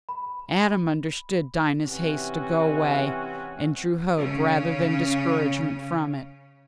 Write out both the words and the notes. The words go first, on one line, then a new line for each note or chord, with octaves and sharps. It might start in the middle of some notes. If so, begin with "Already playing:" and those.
ADAM understood Dinah's haste to go away, and drew hope rather than discouragement from it.
B5
C3 E3 C4 C#4 F#4
C#3 C#4